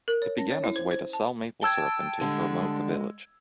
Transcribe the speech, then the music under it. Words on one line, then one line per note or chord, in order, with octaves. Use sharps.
It began as a way to sell maple syrup and to promote the village.
A#4
C#5
C#4
C#5
E4
C5
C5
A5
G5 A5 E6 G#6
D3 G3 G#3